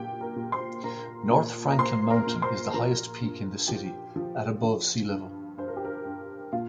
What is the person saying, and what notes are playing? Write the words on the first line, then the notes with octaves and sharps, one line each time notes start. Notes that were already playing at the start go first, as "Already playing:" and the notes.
North Franklin Mountain is the highest peak in the city at above sea level.
Already playing: A#2 G4 G5
A#4 A#5
A#2
C5 C6
A#2 A#4 A#5
A#2
A#5
A#2 C5 C6
A#4 A#5
A#2
C5 C6
F3 A#4 A#5
G2
F3 G4 G5
F3
F3
G2
G2 C5
A#4
G4
A#4
G2
A#2 F4 F5